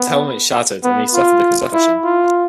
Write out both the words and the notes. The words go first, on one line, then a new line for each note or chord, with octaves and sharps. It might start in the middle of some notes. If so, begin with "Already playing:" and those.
His helmet shattered, and he suffered a concussion.
Already playing: B3
B3
F4
E4
F4